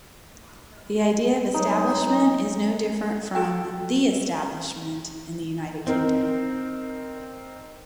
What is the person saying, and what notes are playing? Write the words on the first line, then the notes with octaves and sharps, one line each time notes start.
The idea of Establishment is no different from "The Establishment" in the United Kingdom.
F#3 D#4
F#4 A4 G5
C4 D#4 A#4